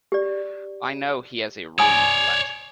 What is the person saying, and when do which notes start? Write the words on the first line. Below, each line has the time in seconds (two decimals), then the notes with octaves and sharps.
I know he has a room to let.
0.12 G4 D5
1.79 C#5 D5 G#5 B5 D#6